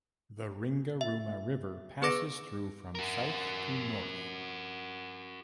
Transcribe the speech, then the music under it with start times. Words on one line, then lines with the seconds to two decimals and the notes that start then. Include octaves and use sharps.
The Ringarooma River passes through from south to north.
1.01 E5
2.02 B3 G#4 B4 D6 A#6 D7
2.95 F#4 A#4